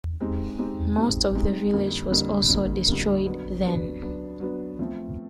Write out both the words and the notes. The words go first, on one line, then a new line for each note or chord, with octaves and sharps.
Most of the village was also destroyed then.
G#3 C4 D#4 G4
G#3 C4 D#4 G4
G#3 C4 D#4 G4
G#3 C4 D#4 G4
F2 D3 G3 A#3
F2 D3 G3 A#3
F2 D3 G3 A#3
F2 D3 G3 A#3
F#3 B3 D4
F#3 B3 D4
F#3 B3 D4
F#3 B3 D4
F3 A3 C4